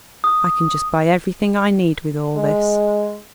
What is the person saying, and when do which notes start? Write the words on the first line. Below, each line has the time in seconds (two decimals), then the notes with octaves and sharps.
"I can just buy everything I need with all this."
0.24 D#6
2.36 G#3